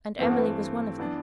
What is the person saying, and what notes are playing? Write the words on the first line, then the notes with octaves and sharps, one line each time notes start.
And Emily was one of them.
G2 E3 A3 B3 C4
E3 B3 D4